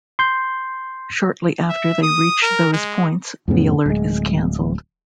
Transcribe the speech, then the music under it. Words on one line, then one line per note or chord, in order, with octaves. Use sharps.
Shortly after they reach those points, the alert is canceled.
C6 G6
E5
D#6
A#4
G#3
F2 A2 C#3 B3
D1 G#3